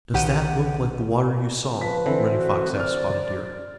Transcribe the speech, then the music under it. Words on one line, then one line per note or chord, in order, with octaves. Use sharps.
"Does that look like the water you saw!" Running Fox asked Spotted Deer.
B1 D#3 G4 F#5 G6 D#7
F3 B4 B6
D3 E3 C4
F#4
C5 D5 F6